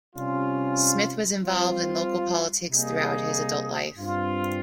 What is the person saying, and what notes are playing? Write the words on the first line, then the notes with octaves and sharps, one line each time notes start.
Smith was involved in local politics throughout his adult life.
C3 G3 C#4 F4
G3 C4 F4
C3 G3 A#3 D#4 G#4
G2 G3 C4 F4